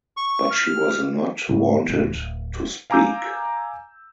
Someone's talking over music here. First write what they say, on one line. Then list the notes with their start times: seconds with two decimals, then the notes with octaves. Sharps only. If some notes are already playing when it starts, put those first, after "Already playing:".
But she was not wanted to speak.
0.17 C#6
0.51 F6
1.49 G#2 C#3 G#3 A3
1.88 E1 E2 G#2 C3
2.10 D1
2.90 F5 G#5 A#5 D6 E6 G6